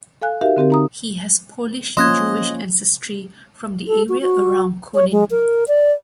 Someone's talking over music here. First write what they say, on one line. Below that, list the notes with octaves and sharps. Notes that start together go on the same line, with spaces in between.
He has Polish Jewish ancestry, from the area around Konin.
A4 F5 G#5 F#6
D#4 F#4 G4 A#4 E5 F5
D3 C4 G4 A#4
D#4 A#5 D#6
F3 A#3 C#4 D#5 C6 F#6 G#6
A4
F#4
F#4
C#5
G#3
A#4
D5